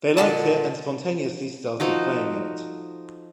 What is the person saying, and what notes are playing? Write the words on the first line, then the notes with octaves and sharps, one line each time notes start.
They liked it and spontaneously started playing it.
A#2 D3 F4 A5
F3 D#4 F#4 A4